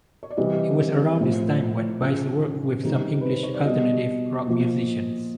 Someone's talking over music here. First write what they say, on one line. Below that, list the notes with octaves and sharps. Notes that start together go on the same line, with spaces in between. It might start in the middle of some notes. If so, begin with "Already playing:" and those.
It was around this time when Bice worked with some English alternative rock musicians.
C#5
D5
C3 E3 G3 D#5
A2 F3
C#3 F3
C3 D#3 G3
B4
C5
C#5
D5
B2 G3 D#5
A#2 F3